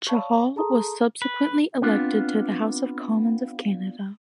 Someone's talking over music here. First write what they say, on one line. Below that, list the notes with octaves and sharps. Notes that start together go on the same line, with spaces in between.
Chahal was subsequently elected to the House of Commons of Canada.
C#5 D5 F5 A5 B5 C#6
G#4 A4 A5 A#5 C6 D#6
B4
B3 C4 D4 F4